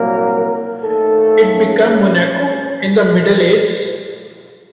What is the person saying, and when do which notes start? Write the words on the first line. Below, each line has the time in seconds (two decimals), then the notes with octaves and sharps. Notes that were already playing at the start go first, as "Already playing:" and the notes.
It became "Monaco" in the Middle Ages.
Already playing: C2 A#2 F#3 A#3 A#4
0.81 D#2 D#3 A3 A4
1.53 C#4